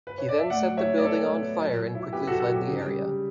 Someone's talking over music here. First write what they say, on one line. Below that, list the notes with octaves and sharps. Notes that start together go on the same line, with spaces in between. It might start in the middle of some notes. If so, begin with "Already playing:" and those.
He then set the building on fire and quickly fled the area.
B4
C#5
D5
E5
A2 D5 F#5
F#3
C#5 E5
A2
D5
B3 A4 C#5
A2
B3
F#3
F#3
E4
B3 G4 B4
F#4 A4
F#3
F#4 A4
F#3
G4
C#3
G3
G3